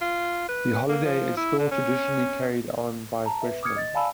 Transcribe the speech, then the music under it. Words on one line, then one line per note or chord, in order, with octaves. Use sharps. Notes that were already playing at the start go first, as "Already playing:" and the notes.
The holiday is still traditionally carried on by freshmen.
F4
B4
A#3
F3
E4
D3
C#4
A5 A#5
B4 E5
D6 D#6 F6 G#6 C#7
D#5 A6
D5 F5 G#5 A5 B5 E6